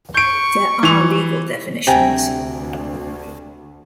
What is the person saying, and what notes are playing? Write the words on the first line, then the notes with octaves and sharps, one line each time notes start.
There are legal definitions.
C#6 G6 D7
E3 F7
D2 C3 G5 G#5 A#5